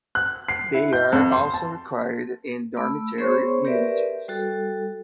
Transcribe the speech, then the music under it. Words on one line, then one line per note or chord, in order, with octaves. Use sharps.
They are also required in dormitory units.
F#6
C7
E4
G6
F2
C6
A5
A3 B5 E6
B3 G#4 C5 C#5 C6 C#6
G4 A#4 B4 D5 E5
G3 F#4 A4